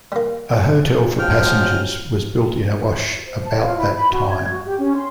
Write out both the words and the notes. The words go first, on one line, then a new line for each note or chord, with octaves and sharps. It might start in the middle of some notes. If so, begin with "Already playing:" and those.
A hotel for passengers was built in Awash about that time.
G3 A#3
G#2 F3 F#3 G#3 G5 F6
C5
A5
F4
E4
B5
F#4
G#6
F#4
G4
C#4
C6